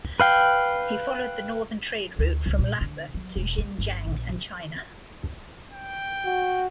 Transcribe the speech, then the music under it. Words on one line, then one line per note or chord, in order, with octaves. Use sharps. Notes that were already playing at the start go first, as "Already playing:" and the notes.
He followed the northern trade route from Lhasa to Xinjiang and China.
B4 F5 G5
D2
C#2
A#2
D3
F#3
E1
A#3
G1
A#1
G5
F#4